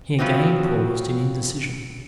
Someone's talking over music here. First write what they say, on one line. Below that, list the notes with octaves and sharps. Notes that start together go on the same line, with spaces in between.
He again paused in indecision.
F3 F#3 B3 C4 F#4